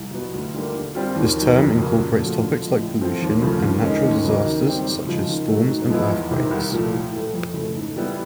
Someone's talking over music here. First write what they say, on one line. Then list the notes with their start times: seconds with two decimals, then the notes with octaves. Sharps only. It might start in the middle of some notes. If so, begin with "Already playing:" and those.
This term incorporates topics like pollution and natural disasters such as storms and earthquakes.
Already playing: C2
0.13 B2 F#3 B3
0.34 D2
0.54 D3 G3 A#3
0.75 D3
0.95 G3 C4 F4
1.16 D#2
1.37 D#3 F#3
1.57 F2
1.78 C#3 F#3 A#3
1.98 A#2
2.19 F3 A3 C#4 F#4
2.40 D3
2.61 F3 G#3
2.81 A2
3.01 F3 A3 C4
3.22 D#2
3.42 C#3 F3 A3 C#4
3.63 D#2
3.84 D#3 G#3 C#4
4.05 D#2
4.24 C#3 F#3 A#3 D#4
4.46 D#3
4.66 G3 C4 D#4 G4
4.87 F#2
5.07 C#3 F3 G#3
5.28 D#3
5.48 F#3 A3
5.69 G#2
5.89 F3 G#3 B3 E4
6.10 E2
6.31 C3 D#3
6.51 C2
6.72 A#2 F3 A3
6.93 A2
7.13 E3 A3
7.34 F2
7.54 C#3 E3 A3
7.75 G#2
7.96 E3 G3 B3 E4